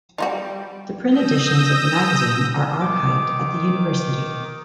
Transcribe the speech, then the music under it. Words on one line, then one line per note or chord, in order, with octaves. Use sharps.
The print editions of the magazine are archived at the University.
G3 D#4 F4 F#4
D#6 E6 G6 A#6
D#3 D6